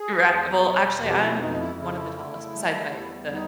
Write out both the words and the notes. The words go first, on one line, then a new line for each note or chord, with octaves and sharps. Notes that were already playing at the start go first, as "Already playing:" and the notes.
Righ well, actually, I'm m one of the tallest besides my the
Already playing: G#4
E2
B2
F2 G4
E4
D4
F2 D#4
E4
C#3 E4
A3
G3
E2
G3 D#4